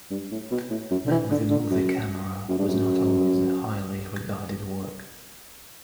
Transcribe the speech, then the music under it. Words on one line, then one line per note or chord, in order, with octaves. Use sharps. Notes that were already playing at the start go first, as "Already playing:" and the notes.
"Man with a Movie Camera" was not always a highly regarded work.
G2
A2
B2
A2
F#2
D3
E3
D3
D3
F#2
F#2
G2
F#2